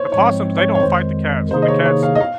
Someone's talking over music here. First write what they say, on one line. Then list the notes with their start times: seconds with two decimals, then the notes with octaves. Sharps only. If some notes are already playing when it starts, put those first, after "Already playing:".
the possums, they don't fight the cats. When the cats
Already playing: C5 C#5
0.12 G#2 F3 G#3 C4 C#5
0.58 C#5
0.75 C#5
0.81 F2 D#3 G#3 C5
1.50 C3 D#3 A#3 D#4 G#4 C5
1.62 D#5
1.68 C#5
1.85 C#5
2.03 F5
2.15 D#5
2.20 F5